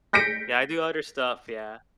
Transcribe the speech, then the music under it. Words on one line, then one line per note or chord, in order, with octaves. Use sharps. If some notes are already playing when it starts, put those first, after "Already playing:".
Yeah, I do other stuff, yeah.
G6 A#6 B6 C#7 D7